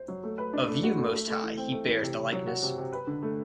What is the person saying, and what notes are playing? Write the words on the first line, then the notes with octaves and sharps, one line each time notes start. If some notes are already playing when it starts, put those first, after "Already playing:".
Of you, Most High, he bears the likeness.
Already playing: C5
F#3
A3
B4
D4
A3
F#4
A3
A3
A3
E3
C4
A3
E3
C3
C3
F#3
F#4
C3
C3
B4
D3
A3